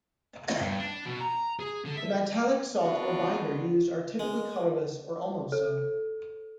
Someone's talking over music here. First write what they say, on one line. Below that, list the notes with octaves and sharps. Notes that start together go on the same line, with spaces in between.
The metallic salt or binder used are typically colourless or almost so.
G2
D4
B2
A#5
G#4
D3
E5
B3 C4 D4 F4 F#4
G#3
A4